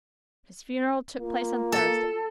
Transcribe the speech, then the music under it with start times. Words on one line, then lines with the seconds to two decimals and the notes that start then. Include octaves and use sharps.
His funeral took place on Thursday.
1.19 A#3 F4
1.72 A4